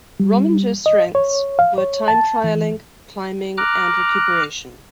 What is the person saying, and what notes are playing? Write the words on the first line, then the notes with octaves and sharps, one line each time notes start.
Rominger's strengths were time-trialling, climbing and recuperation.
G3
D#5
C#5
F5
C#5
A5
E3
A#5 D6 F6 F#6